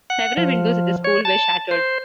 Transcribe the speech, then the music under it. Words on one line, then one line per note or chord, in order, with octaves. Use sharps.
Several windows at the school were shattered.
F#5
F3
C#5
A5
C5